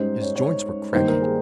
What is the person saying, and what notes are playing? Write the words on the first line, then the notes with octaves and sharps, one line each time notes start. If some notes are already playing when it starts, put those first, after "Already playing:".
His joints were cracking.
Already playing: G#2 G3 C#4 C5
C#5
C#5
G2 D#3 A#3 C5
A#4
G#4